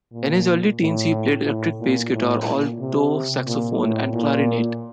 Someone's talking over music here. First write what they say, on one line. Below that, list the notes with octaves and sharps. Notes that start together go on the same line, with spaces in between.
In his early teens he played electric bass guitar, alto saxophone, and clarinet.
A#2
A2
A2
A#2
A2
A#2
C3
A#2
A2
A#2